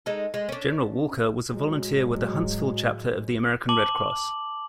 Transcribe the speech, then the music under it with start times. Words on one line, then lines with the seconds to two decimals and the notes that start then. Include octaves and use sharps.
General Walker was a volunteer with the Huntsville Chapter of the American Red Cross.
0.06 G#3 D#4 A4
0.34 G#3
0.49 C#4 D4
1.50 A2 F#3 G#3
3.69 A5 D6 F#7